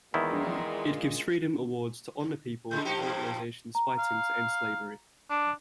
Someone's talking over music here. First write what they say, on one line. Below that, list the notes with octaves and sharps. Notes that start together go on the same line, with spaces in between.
It gives Freedom Awards to honour people and organisations fighting to end slavery.
E2 A#2 D#3 G#3 E4
C#3 G#3 G6
F3 D#4 G4 G5
G2 A#2 F3 G5
A#5
F5
D4